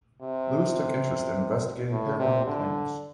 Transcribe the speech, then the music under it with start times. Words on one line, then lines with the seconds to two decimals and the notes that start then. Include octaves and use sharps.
Lewis took interest in investigating paranormal claims.
0.21 C3
1.90 A2
2.19 C3
2.46 D3